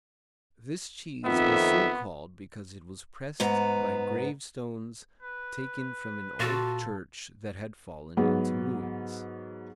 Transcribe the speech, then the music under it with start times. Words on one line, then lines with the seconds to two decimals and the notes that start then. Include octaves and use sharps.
This cheese was so called because it was pressed by gravestones taken from an old church that had fallen into ruins.
1.25 F2 D#3 B3 E5
3.40 G#2 B3 A#5
5.22 B4
6.40 A#2 F4 F#4 A4 A5
8.17 G#2 F#3 B3